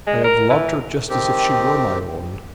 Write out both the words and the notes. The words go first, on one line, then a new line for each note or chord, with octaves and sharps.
I have loved her just as if she were my own.
G#3
A#4
E3
D#3 C4 G4